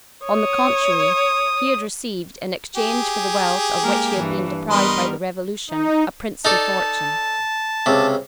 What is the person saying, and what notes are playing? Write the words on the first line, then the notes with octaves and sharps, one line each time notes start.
On the contrary, he had received, in exchange for the wealth of which he had been deprived by the revolution, a princely fortune.
C#5 D#6
G4 G#4
G#3 A#3 A#4
G2 E3
G3 B3 A#4 B4 D#5 C6
D#4
D#4 A4 D5 A5
C#2 C3